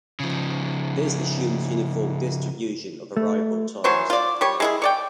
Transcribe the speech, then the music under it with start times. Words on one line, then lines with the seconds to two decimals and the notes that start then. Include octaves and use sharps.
This assumes uniform distribution of arrival times.
0.20 C#3 F3
3.17 A3
3.84 E3 F#3 C5 C#5
4.10 F4 D5
4.41 G3 C#5
4.60 G#3 E4 G#4
4.82 C#5 D5 G5